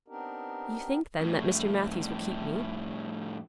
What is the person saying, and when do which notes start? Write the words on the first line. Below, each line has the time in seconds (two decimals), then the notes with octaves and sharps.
"You think then that Mr. Matthews will keep me?"
0.08 B3 C4 D4 D#4 G4 A#4
1.21 F2 A2